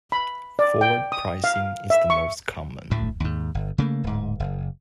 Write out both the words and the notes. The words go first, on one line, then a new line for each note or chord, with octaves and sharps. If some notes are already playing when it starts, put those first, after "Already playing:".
Forward pricing is the most common.
B5
D5
G5
D#6
F5
E5
C#6
D2 A2 A3
D#2 G#2
G1
C#3 A3 A#3
D1 G#2
F#1